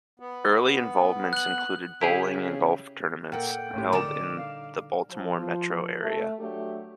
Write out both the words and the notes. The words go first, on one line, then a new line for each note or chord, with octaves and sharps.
Early involvements included bowling and golf tournaments held in the Baltimore metro area.
B3
F#6 F#7
C#3 E4 G4 G#4
A#2 A#3 A4 A#4 F#5 G5
A1 A2 G4
D3 G3 D#4 A#4 D6 E7
F5
F3
A3
F#3 A3 D4 F#4 G4